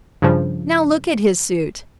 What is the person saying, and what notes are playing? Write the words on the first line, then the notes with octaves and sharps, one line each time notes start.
Now look at his suit.
G2 C#3 F3